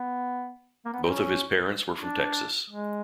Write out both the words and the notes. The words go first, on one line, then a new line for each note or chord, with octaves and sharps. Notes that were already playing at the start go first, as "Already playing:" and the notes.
Both of his parents were from Texas.
Already playing: B3
A#3
B3
C4
C#4
D4
G#3